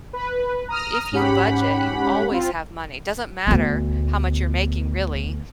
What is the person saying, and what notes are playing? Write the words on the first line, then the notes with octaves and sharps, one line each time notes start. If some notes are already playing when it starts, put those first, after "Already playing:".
if you budget, you always have money- doesn't matter how much you're making really,
B4
A#5 D#6 F6
G#2 C#4 G4 F#5 B5
C4 F4
D2 B3